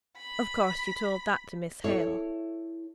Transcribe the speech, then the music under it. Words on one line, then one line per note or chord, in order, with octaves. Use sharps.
'Of course you told that to Miss Hale?'
B5
E4 A4 C#5